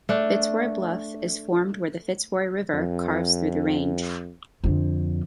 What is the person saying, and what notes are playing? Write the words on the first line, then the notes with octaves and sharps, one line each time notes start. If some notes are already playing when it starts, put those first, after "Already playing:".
Fitzroy Bluff is formed where the Fitzroy River carves through the range.
A3 D4
F2
F2 D3